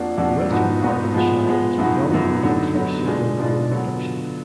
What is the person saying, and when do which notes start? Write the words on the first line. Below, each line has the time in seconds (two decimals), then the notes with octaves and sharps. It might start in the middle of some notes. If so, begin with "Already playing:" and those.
The western part of the shire is predominantly used for cereal grain production.
Already playing: F2 F3 A#3 D4 F#4
0.17 F2 F3 A#3 D4 F#4
0.50 G#2 F3 B3 D#4 F#4
0.82 G#2 F3 B3 D#4 F#4
1.14 F3 G#3 B3
1.46 F3 G#3 B3
1.78 F#2 F3 B3 D#4 F#4
2.10 F#2 F3 B3 D#4 F#4
2.43 D3 F#3 B3 D#4
2.74 D3 F#3 B3 D#4
3.06 B2 G#3 D4 F4
3.39 B2 G#3 D4 F4
3.71 D3 F#3 B3 F4